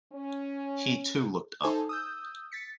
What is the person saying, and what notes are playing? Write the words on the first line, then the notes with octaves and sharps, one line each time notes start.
He too looked up.
C#4
D#4 A4 C5 G#5 A5
D#6 E6 G6
A6 B6 C#7